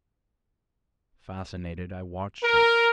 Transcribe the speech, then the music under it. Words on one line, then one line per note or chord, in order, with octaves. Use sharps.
Fascinated, I watched her.
A#4